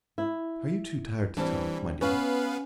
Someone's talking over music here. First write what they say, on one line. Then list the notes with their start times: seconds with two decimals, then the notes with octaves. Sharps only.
"Are you too tired to talk, my dear?"
0.18 E4
1.37 E3 G3 C4 D4
2.01 B3 C#4 B4 F5